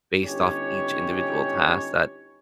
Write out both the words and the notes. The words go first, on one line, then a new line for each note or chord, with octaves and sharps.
based off each individual task that
G1 C#4 D#4 G4 C#5